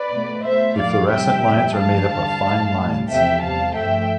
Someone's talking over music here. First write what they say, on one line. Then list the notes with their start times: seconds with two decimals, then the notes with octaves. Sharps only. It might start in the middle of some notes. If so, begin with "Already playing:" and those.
The fluorescent lines are made up of fine lines.
Already playing: B4 D5
0.11 B2 A3
0.45 B2 A3 C5 E5
0.77 A2 F3 A3 D5 F5
1.10 F2 C3 G3 E5 G5
1.44 F2 C3 G3
1.77 G2 F3 A3 F5 A5
2.10 G2 D3 G3
2.43 G2 F3 A3
2.77 A2 G3
3.09 E2 C3 F3 A3 E5 G5
3.42 E2 C3 G3 F5 A5
3.76 G2 F3 A3 E5 G5